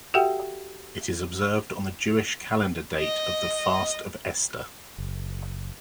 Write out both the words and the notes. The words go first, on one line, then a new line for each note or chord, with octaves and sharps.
It is observed on the Jewish calendar date of the Fast of Esther.
F#4 G4 A4 E5 F#5 G5
D#5
F#1